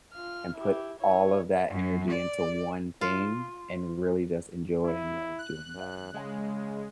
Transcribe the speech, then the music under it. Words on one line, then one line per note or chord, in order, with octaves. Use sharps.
and put all of that energy into one thing and really just enjoy and love doing that one
F4 F6
E4 G4
E4 C#5
F#2
D5
F4
E4
F#6
F#2
C#3 G#3